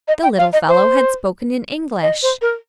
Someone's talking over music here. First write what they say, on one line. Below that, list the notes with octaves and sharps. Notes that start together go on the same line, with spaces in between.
The little fellow had spoken in English.
D#5
G5
F5
D#5
C5
D#5
C5
A#4